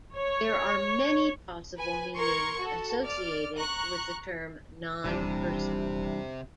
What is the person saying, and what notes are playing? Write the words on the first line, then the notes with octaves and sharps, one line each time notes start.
There are many possible meanings associated with the term "nonperson".
C#5
B4 G#5
A#4 C6 C#6 G#6
F#4 A4
D5 F6
A#5 C#6 F#6
D#1 C3 E3 G3 D4